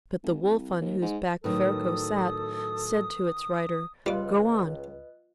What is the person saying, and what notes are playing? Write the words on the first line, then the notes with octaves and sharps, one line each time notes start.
But the wolf on whose back Ferko sat, said to its rider, 'Go on!
G#1
C2
D#2
G#2
A2 D#3 F#3 A4 B4 D#6
C#2 G3 F4 B4 D#5 D6 F#6